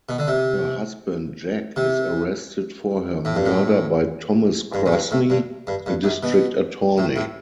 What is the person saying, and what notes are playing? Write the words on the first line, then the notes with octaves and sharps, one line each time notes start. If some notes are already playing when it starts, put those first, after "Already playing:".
Her husband Jack is arrested for her murder by Thomas Krasny, a district attorney.
B2
D3
C3
C3
A2
G2
A2
G2
A2
G2
A2
G2
G2
G2
F#2
B2
A2
A2